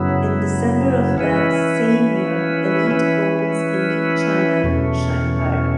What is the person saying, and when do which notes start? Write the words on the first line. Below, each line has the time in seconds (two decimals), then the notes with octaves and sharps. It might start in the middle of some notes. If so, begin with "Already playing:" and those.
In December of that same year, Elite opens Elite China in Shanghai.
Already playing: F#2 C#3 F#3 B3 E4
1.17 E3 C#4 E4 B4
2.90 E3 C#4 E4 B4
4.63 E2 B2 A3 C#4